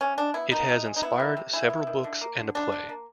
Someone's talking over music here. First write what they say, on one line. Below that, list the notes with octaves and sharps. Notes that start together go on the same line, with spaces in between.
It has inspired several books and a play.
C3 C#4
G#3 D4
B3 E4
D#3 D#4
C3
G#3
D#4
B3 E4
D#3
C3
G#3 E4
B3
D#3
D3
A#3
D3
G3 D4
D3
A#3